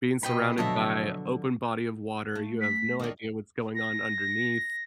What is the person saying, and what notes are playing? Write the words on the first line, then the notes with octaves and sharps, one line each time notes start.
Being surrounded by open body of water, you have no idea what's going on underneath.
B2 D#5 G5 B5
D3 F3 F#3 C#5 D#5 E5 A5
A3
B6
D#3 D4
A#6